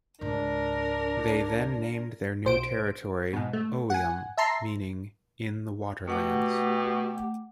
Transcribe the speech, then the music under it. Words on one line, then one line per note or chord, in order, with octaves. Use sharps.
They then named their new territory "Oium", meaning "in the waterlands".
C#2 G#2 D4 A#4
B1 C5 D7
G#2 B2
A3
F#5 G#5
E5 A5 A#5 C6 C7
B2 A3 G4 F#5 D6